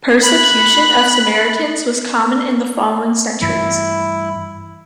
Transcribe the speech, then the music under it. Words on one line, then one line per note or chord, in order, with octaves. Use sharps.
Persecution of Samaritans was common in the following centuries.
B5 F#6
G2 E3 A3 E4